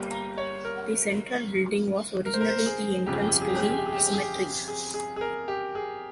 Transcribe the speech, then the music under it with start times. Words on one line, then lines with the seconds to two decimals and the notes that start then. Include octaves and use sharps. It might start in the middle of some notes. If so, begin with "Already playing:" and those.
The central building was originally the entrance to the cemetery.
Already playing: G1 G2 G3 A#3
0.11 A#5
0.38 C#5
0.65 A#4
2.26 A#4
2.33 C5
2.41 A#4
2.49 C5
2.56 A#4
2.66 G#4
3.06 G1 F2 C#3 F3 G4
3.13 G#4
3.21 G4
3.28 G#4
3.35 G4
3.42 G#4
3.49 G4
3.56 G#4
3.64 G4
3.70 G#4
3.78 G4
3.86 G#4
3.92 G4
3.99 G#4
4.07 G4
4.14 G#4
4.21 G4
4.68 G#4
4.94 G#4
5.16 G#4
5.21 A#4
5.48 G4
5.75 G#4